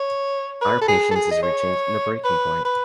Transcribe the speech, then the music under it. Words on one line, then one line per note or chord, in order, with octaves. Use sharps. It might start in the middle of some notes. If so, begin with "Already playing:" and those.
Our patience is reaching the breaking point.
Already playing: C#5
B4
A4
G#4
A4
G#4
D#5
C#5
B4
B4